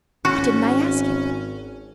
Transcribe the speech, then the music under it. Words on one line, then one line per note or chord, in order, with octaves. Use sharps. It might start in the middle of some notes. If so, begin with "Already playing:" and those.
Why didn't I ask him!
G#1 C#4 F#4